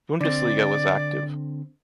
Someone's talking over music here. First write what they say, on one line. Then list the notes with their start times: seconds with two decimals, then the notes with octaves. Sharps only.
Bundesliga was active.
0.21 D3 C4 D5